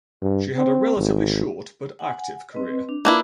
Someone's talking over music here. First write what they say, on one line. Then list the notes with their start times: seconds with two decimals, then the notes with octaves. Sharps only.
She had a relatively short, but active, career.
0.22 G2
0.57 C4
0.98 G#1
1.99 F#5 G#5
2.53 C4 B4 D#5
2.89 D4
3.05 A#3 D4 E4 F4 B4